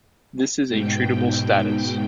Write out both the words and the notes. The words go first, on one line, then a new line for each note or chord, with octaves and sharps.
This is a treatable status.
G#2 B2 G5